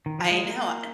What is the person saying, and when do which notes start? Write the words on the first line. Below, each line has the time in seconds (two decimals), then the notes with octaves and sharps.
I know an
0.06 D#3
0.19 F3
0.31 G#3
0.44 A#3